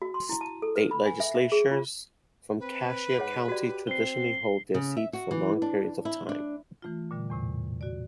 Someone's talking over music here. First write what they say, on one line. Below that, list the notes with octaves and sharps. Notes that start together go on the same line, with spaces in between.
State legislators from Cassia County traditionally hold their seats for long periods of time.
F#4
C6
E4
A5
A4
B4
B5
G#5
E5
E5
G#4
F4
C4 B4
G#2 G#4 C#5 F#5
F#4 G4 D5
C4 C7 G7
C#3
E5
F#4
E3
D4
E4
D4
E3 A3 F4
A#2 D3 G3
E2 A2 C3
F#4 D5